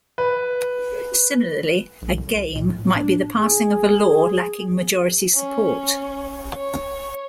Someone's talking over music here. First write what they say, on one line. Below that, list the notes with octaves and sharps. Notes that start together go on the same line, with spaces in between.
Similarly, a "game" might be the passing of a law lacking majority support.
B4
A#1
C2
A#2
A2
D4
G#4
C#4
C#5